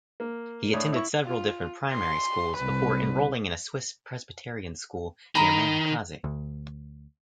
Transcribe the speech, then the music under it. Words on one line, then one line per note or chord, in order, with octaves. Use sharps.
He attended several different primary schools before enrolling in a Swiss-Presbyterian school near Manjacaze.
A#3
A2 D4 C#5 D#6
E4 C#6
F4
C6
C2 B4
D#3 A#5 B5
D2